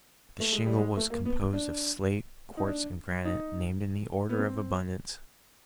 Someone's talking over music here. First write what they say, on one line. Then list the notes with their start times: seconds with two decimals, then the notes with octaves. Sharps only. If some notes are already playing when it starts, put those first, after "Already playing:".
The shingle was composed of slate, quartz, and granite, named in the order of abundance.
0.40 A3
0.53 G#3
0.66 G3
0.78 G#3
0.97 A3
1.10 A#3
1.25 B3
1.53 D4
2.57 D#4
2.67 D4
3.25 D#4
4.29 B3
4.39 C4